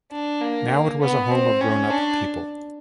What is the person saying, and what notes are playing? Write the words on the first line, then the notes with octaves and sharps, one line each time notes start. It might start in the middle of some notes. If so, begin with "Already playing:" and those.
Now it was a home of grown-up people.
D4
A#3
B3
C4
C#4
D4